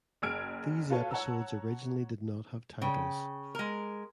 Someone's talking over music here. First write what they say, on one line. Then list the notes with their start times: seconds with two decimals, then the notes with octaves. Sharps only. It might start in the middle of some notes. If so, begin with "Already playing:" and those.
These episodes originally did not have titles.
0.22 F#1 G#4 E6 F6 G#6 D7
0.90 F4 F#4 A4 B4 C#5
1.11 C#5 F#5 A5 A#5 E6
2.82 C#3 G5
3.55 G#3 A#4